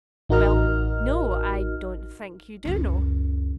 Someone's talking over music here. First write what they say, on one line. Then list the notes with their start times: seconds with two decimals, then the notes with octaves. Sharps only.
"Well, no. I don't think you do know."
0.29 A1 D#4 F#4 A#4 D#5 F6
2.65 C#2 F#2